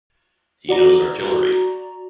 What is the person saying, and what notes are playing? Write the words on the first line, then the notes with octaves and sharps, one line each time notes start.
He knows artillery!
F#4 D5 A#5